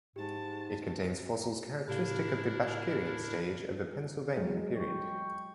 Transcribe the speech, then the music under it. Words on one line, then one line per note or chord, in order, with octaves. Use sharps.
It contains fossils characteristic of the Bashkirian stage of the Pennsylvanian period.
G#2 G#3 G4 A5
A2 C#3 D4 E4 G4 A4 A#4 F5
F#3 G#3
G5 C#6